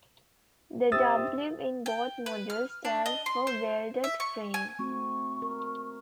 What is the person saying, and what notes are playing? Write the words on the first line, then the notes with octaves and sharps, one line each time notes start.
The "W" in both models stands for welded frame.
C3 D#6 E6 A6
G5
B4
F6
D4
D#5
C6
C5
E5
C#6
G#5
A3 C4 F#4 C#6
A#4